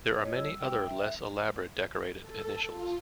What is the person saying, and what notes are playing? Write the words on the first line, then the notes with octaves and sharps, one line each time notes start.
There are many other less elaborate decorated initials.
F4 C#5 D#5
G3 E6
G5
E5
A4
F4